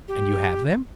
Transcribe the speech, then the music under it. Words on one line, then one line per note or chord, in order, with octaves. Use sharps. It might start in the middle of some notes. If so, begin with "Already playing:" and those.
"And you have them?"
G4